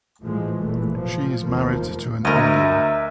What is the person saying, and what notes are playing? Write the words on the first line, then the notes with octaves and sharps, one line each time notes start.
She is married to an Indian.
A2 E3 F3 G#3
F1 A#2 E3 A3
F3
F1 D#2 F3 A#3
D2 A#4 D#5 E5